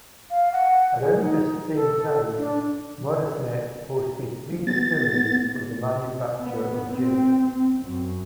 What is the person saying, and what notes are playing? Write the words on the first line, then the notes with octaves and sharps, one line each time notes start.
Around this same time, Moresnet boasted three distilleries for the manufacture of gin.
F5
F#5
G#4
D#4
A4
D4
B3 A6
B3
C4
C4
F#2